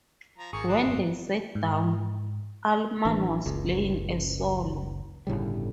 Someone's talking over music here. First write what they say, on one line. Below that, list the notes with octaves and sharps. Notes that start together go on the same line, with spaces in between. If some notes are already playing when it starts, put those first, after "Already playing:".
When they sat down, Allman was playing a solo.
F3 A#5
G#1 D#3 A#3 G#4 C#6
D4 D#4 C5
G#1 F#2
G#2
A1 E3 D4
F#1 C#2
G1 A2 C#3 G3